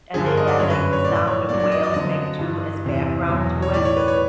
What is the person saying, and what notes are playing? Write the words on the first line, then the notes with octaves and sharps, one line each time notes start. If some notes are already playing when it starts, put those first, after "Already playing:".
and they had, like, the sound of whales make two as background to it
G2 D3 F3 G#4
A#4
D#5
D5
F#2 D3 F#3 C#5
B4
C#5
A2 E3 D5
C#5
A#2 F#3 D5
D5
D#5
D5
F2 D3 F#3 D#5
G2 E3
E2 C3 E3
E2 B2 F#3
C#5
A2 E3 D5
C#5
B4
C#5